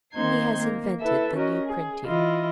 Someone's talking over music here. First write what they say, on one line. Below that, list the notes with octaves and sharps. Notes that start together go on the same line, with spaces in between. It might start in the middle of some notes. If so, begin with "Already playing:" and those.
He has invented the new printing.
D#3 A#3 C4 D#4 C6 G#6
A#3
E4 A4 B4 E5
C#4 F#4 A#4 D#5
G#4
E3 E4 F4 D#5